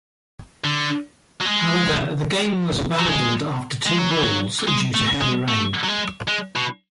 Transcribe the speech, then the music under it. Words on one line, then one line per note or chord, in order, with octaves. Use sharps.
However, the game was abandoned after two balls due to heavy rain.
D3
F#3
G#3
F#3
G#3
G#3
F#3
E3
F#3
G#3
A3
G#3
A3
F#3
G#3
G#3
B2